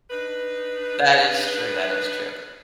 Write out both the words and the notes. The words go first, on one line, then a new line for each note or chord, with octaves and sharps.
That is true, that is true.
D4 D#4 B4